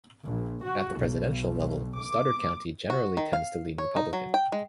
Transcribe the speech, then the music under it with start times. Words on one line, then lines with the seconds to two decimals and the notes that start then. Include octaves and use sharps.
At the presidential level, Stoddard County generally tends to lean Republican.
0.23 A#1
0.62 F#4
0.97 B1
1.97 D6
2.90 F#4
3.17 D#3
3.33 F5
3.78 C#5
3.96 D#4
4.13 F#3
4.34 G5
4.52 G#3